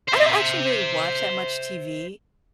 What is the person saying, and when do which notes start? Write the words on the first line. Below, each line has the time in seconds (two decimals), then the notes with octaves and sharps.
I don't actually really watch that much TV.
0.09 C5 E5